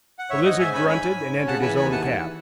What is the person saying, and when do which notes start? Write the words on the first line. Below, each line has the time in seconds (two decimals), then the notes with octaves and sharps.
The Lizard grunted and entered his own cab.
0.19 F#5
0.30 G#2 C#5 E5
0.45 G#2 D#5 F#5
0.59 G#2 E5 G#5
0.74 C#4 G#5 B5
0.89 G#2 G#5 B5
1.03 G#2
1.18 G#2
1.32 C#4
1.47 C#3 F#5 A5
1.62 E3 G#5 B5
1.76 D#2 G#5 B5
1.91 E3 F#5 A5
2.06 E3
2.21 E3